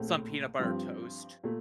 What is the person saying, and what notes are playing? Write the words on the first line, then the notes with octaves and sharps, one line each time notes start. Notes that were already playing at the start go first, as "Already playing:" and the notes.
some peanut butter toast.
Already playing: A#1 A2 A3 C4
G2 F3 C4 G4
A#2 A3